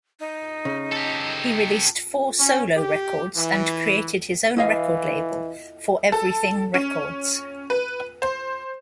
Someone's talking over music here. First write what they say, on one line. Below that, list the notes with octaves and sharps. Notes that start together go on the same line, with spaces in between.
He released four solo records and created his own record label, "Foreverything Records".
D#4
C#3
G4 A4
C#4
G4
E3
E3 E4 D#5 F5
A4
C#4
B4
C5